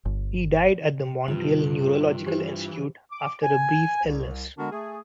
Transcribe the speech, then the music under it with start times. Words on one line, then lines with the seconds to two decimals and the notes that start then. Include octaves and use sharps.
He died at the Montreal Neurological Institute after a brief illness.
0.05 G1
1.28 G2 C3 F4
2.27 E3 G4 C5
3.11 D6
3.43 G#5
4.05 C2
4.58 D3 G#3 B3 D4 F#4 A#4
4.72 A3 G#4